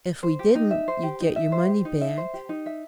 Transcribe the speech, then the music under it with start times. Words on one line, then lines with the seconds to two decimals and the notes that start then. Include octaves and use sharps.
"If we didn't you'd get your money back."
0.23 C5
0.39 G4
0.55 D#4
0.71 E5
0.88 C5
1.03 G4
1.20 D#4
1.36 E5
1.52 C5
1.68 G4
1.85 D#4
2.01 E5
2.17 C5
2.34 G4
2.49 D#4
2.66 E5